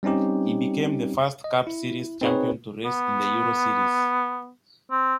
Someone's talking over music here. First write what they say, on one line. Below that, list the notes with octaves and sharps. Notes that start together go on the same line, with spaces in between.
He became the first Cup Series champion to race in the Euro Series.
G3 C4 C#4 D#4 G4
D#5
E4
C4 D#4 G#4 B4 C#5
B3
C4